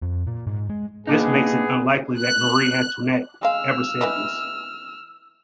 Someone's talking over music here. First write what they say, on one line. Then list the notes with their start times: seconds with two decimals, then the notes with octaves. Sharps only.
This makes it unlikely that Marie-Antoinette ever said this.
0.02 F2
0.27 A#2
0.47 G#2
0.69 G#3
1.07 A#2 B3 D4 D#4 G#4
2.19 F#6
3.43 G#3 F5 E6 F6
4.01 E3 B4 D#5